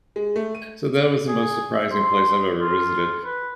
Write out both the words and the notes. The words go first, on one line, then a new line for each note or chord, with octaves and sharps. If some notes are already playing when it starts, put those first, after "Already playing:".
So that was the most surprising place I've ever visited.
G#3
A3
D#7
G#4
E5
C6
F4
B4